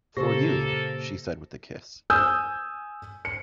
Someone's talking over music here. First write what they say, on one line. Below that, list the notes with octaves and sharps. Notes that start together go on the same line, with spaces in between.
"For you," she said with a kiss.
A#2 C#3 A#3 G4 A4 C5 A#6
G#5 D#6 E6 G6
C#7